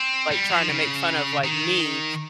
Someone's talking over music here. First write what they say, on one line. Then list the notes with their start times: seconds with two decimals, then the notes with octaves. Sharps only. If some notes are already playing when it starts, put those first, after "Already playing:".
like, trying to make fun of, like, me?"
Already playing: C4
0.31 G3
0.50 F3
0.68 C#3
1.44 D#3